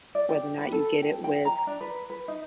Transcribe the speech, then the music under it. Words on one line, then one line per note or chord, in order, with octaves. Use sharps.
whether or not you get it with
D5
G4
B4
A4
G5
G5
A#5
D4
B4
B4
D#4